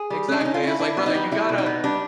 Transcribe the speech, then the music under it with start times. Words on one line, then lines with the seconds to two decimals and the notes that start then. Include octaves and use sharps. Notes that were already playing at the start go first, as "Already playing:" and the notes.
Exactly. I was, like, "Brother, you gotta
Already playing: G#4
0.10 G3
0.28 C#4 D4
0.41 C#4 D#4
0.54 F4
0.63 C#4 E4
0.79 D4 E4
0.97 B3
1.06 D#4
1.15 G3
1.32 G3 E4
1.49 B2
1.58 D#4
1.66 B3
1.84 G3 D4